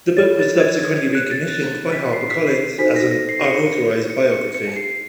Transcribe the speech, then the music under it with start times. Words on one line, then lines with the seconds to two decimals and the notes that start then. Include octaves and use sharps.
The book was subsequently recommissioned by HarperCollins as an "unauthorised" biography.
0.17 F4 A4 C#5 A6
0.39 A6
0.60 G#6
0.82 G#6
0.98 G#6
1.15 F#6
1.31 A6
1.48 A6
1.92 B6
2.13 C7
2.30 B6
2.47 C7
2.79 D#4 F#4 A4 C5 B6
2.96 A#6
3.11 A#6
3.29 C7
3.45 C#7
3.66 C#7
4.10 C#7
4.32 C#7
4.54 C#7
4.76 C7